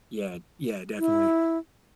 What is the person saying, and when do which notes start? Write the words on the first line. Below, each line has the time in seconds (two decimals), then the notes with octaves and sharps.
Yeah, yeah, definitely.
0.99 E4